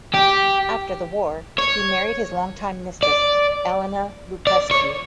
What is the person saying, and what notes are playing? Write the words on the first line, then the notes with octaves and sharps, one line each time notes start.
After the war, he married his longtime mistress, Elena Lupescu.
G4
C#5
D5
D5
C#5